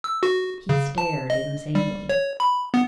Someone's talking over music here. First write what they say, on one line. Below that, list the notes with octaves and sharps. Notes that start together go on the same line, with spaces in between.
He stared insanely.
E6
F#4
C#3
A5
D#5
G3
C#5
B5
B3